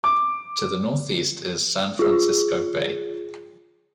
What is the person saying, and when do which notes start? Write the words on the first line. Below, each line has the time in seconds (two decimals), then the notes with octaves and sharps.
To the northeast is San Francisco Bay.
0.04 D6
1.99 F4 G#4